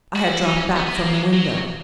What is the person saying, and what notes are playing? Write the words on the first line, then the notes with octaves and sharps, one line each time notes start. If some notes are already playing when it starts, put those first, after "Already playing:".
I had dropped back from the window.
F#4
E4
D#4
C#4
B3
B3
A#3
A#3
G#3
F#3